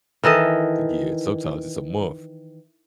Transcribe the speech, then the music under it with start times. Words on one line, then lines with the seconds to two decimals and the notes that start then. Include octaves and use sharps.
Yeah, sometimes it's a month.
0.24 D#3 E3 A4 D#5